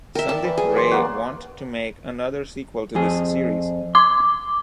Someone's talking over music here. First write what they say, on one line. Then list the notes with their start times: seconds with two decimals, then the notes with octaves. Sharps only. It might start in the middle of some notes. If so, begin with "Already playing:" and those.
Sandip Ray want to make another sequel to this series.
0.15 A#4 E5 G5 A#5
0.29 D5 A5
0.44 E3
0.58 G#4
0.75 F#3 D5 C6
0.89 A#3 F#4 G#4
2.95 F2 G#4
3.95 C6 D6